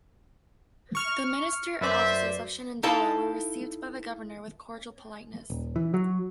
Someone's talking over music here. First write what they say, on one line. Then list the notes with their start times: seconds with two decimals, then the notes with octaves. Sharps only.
The minister and officers of "Shenandoah" were received by the governor with cordial politeness.
0.95 C#6 F6
1.81 F#2 B4 C5 D5 E5
2.83 D#4 E4 A4 F5 A5
5.50 D#1
5.76 E3
5.94 F#3